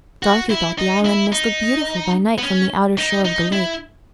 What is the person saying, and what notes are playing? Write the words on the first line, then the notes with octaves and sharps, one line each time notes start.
Dorothy thought the island must look beautiful by night from the outer shore of the lake.
F#4
E4
D#4
E4
D#4
B3
C#4
D#4
D#4
E4